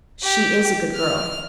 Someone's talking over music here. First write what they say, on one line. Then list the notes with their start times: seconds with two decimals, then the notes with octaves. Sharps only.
"She is a good girl."
0.23 G4
0.96 F6